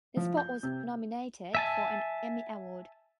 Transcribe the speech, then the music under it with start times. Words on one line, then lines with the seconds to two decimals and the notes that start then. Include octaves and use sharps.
The spot was nominated for an Emmy Award.
0.17 F3
0.37 G6
0.63 C3
1.55 E5 G#5 A5